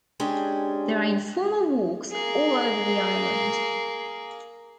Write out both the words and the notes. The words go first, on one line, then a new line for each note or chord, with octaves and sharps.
There are informal walks all over the island.
G#3 C#4 D4 G4
A#3 G#4